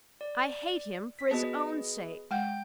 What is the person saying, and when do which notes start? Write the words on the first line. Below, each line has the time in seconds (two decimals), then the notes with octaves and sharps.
I hate him for his own sake.
0.21 D5
1.19 B6
1.31 B3 F#4 G#4 B4 D#5
2.31 G#3 F#5 G5 G6